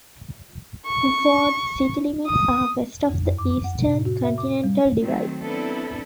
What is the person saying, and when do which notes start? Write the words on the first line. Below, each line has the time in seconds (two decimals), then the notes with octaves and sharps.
Buford's city limits are west of the Eastern Continental Divide.
0.86 C#6
2.27 D#6
3.09 F2
3.25 F#2
3.38 D6
3.50 D6
3.64 F#5
3.78 C3
3.92 A2
4.05 F#4
4.24 E5
4.38 D6
4.64 G3
5.00 D#3 F#3 A3 C4
5.41 F#3 B3 C4 D4 E4 A4